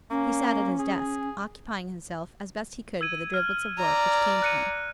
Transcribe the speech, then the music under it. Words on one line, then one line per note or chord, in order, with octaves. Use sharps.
He sat at his desk, occupying himself as best he could with the driblets of work which came to him.
A#3 C#4
G#4
E6 G#6 D#7
F6
D5 A#5
F#6 C#7 D#7